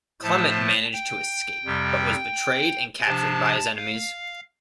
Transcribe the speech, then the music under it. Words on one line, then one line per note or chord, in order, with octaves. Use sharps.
Clement managed to escape, but was betrayed and captured by his enemies.
A2 F3 A3 A5
G5
F2 C3 G3
C3 F3 D4 A5
F5